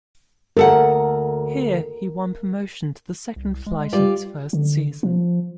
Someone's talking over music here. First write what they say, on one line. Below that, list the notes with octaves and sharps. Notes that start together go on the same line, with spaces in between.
Here, he won promotion to the second flight in his first season.
D2 A4 A#4 F#5
C2
G#3
G3 F4 D5
D3
F3